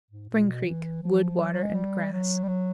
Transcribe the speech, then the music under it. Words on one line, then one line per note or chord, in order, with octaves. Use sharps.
Spring Creek.--Wood, water, and grass.
G#2
A#2
B2
E3
F3
F#3
F#3
G#3
G3
F#3
G3
F#3